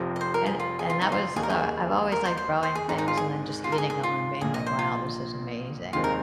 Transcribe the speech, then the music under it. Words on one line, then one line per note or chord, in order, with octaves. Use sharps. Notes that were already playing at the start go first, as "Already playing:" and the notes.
and and that was, uh I've always liked growing things and then just eating 'em and being like, "Wow, this is amazing."
Already playing: F1 F2 C3 F3 C4
D#5
C5
A#4
G#4
F4
G#4
F4
D#4
F4
D#2 D#3 A#3 D#4 G#4
A#4
G#4
A#4
C5
C5
C5
G#4
G#1 G#2 D#3 G#3 D#4
D#4
F4
G#4
F4
A#4
G#4
G#4
F4
A#1 A#2 A#3 G#4
D#5
C5
F4
F1 D#2 D#3 G#3 C4 F4
A#4